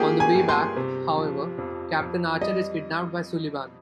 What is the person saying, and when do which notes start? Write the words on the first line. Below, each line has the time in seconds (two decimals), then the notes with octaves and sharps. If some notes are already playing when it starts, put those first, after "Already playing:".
On the way back, however, Captain Archer is kidnapped by the Suliban.
Already playing: A#3 F4 G4 G#4 G5
0.20 G#5
0.35 G2
0.49 C6
0.76 C3
1.18 F3
1.58 F2
2.00 F2
2.41 G3 D#5